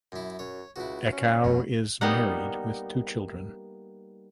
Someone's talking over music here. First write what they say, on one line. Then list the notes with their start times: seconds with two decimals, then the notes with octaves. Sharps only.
Ekow is married with two children.
0.12 F#2 E4
0.39 F#2 C#5
0.76 C#2 E4 F#4
1.13 C#4
1.44 F1 F2 B2 A3
2.01 G3 A#3 B3 D#4 F#5